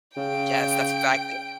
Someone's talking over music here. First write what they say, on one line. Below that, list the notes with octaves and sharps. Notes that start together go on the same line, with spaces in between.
Yes, that's exactly
C#3 G5 D7